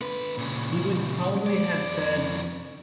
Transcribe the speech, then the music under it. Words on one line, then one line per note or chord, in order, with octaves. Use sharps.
He would probably have said
D3 B4
A#2 C#3
F2 D5